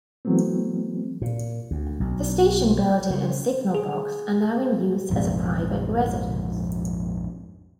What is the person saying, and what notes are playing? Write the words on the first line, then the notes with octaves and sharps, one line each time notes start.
The station building and signal box are now in use as a private residence.
E3 F#3 A3 B3 C4
A#2
D2
B1
C#3
G#4
A#1 F2 G#2 C3